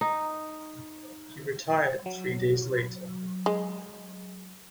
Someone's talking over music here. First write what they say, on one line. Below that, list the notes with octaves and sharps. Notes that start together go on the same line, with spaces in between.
He retired three days later.
D#4
F#3
G#3